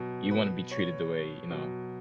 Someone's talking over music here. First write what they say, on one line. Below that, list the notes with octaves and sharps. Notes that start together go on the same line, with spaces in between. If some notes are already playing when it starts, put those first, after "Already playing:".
you wanna be treated the way, you know,
Already playing: B2 F#3
B4
C#5
B2 F#3